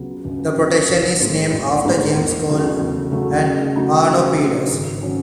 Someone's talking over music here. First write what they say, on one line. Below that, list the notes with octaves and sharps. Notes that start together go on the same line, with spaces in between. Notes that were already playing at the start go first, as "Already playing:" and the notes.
The projection is named after James Gall and Arno Peters.
Already playing: C#2 C#3 F#3 B3
C#2
C#3 F#3 B3
B1
A2 G#3 B3 D#4
B1
A2 G#3 B3 D#4
E2
C#3 F#3 A3
E2
C#3 F#3 A3
C#3
F#3 A3 D#4 F#4
C#3
F#3 A3 D#4 F#4
G#1
D#3 F#3 C#4